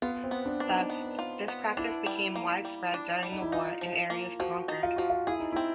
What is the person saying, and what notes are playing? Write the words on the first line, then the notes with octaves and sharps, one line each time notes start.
Thus, this practice became widespread during the war in areas conquered.
B3 F4
C4
B3
D4
D4
D#4
B3
F4
B3
D4 E4
G3
A#3
G3
D4
G3
D#4
E4
D#4 F4
F3
A#3
F3 F#4
D#4
F4
F3 F#4
F4
E4 G#4
D#4
C4 E4